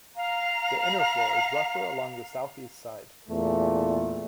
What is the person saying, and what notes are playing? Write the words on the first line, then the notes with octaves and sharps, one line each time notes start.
The inner floor is rougher along the southeast side.
F5 A#5
E2 A#2 A3